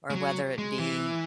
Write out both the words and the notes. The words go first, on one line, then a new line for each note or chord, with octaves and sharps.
or whether it be
G#3
F#3
G#3
E3